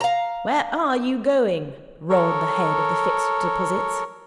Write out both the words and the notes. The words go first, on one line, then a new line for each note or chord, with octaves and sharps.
'Where are you going,' roared the head of the Fixed Deposits.
F5 A#5
A4 A#4 C#5